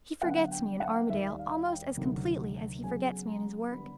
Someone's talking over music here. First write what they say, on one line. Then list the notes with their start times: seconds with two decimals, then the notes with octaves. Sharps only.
He forgets me in Armadale almost as completely as he forgets me in his work.
0.22 D3 F#3 B3 F#5
0.51 G5
0.80 F#5
1.09 D#2 D#3 G3 E5
1.39 F5
1.67 G5
1.97 D2 C3 D#3 F#3
2.83 C#3 F#3 B3 G#5
3.27 A#5
3.71 D3 G3 B3 D4 B5